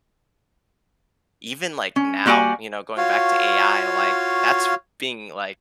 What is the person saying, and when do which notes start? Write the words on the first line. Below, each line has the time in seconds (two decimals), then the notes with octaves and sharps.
even, like, now, you know, going back to AI, like, that's being, like,
1.96 C#4
2.26 G3 A#3 F#4 D5 G#5
2.97 F4 F#4 C#5 F5